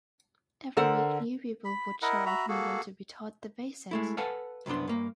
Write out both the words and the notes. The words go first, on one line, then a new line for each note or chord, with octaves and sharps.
Every week new people would show up needing to be taught the basics.
D3 A4 A#4 C5 F#5 E6
B5
E4 A#4 D#5 F#5
F#4 E5 A#5 B5
A#3 F#4 G#4 A4
G#3 A3 E4
A4 B4 F5 F#5 G#5 A5
C2 F#2 B3 D4 C6
G2 A#3